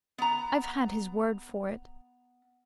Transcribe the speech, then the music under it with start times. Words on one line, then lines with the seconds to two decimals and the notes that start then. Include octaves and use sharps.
I've had his word for it.
0.18 B3 A#5